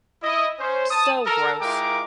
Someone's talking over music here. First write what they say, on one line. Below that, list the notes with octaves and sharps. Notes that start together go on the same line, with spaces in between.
So gross.
E4 D#5
C#4 C5
A5 D#6
A4 A#4
G#3 E4 F4 A#4 G5 D6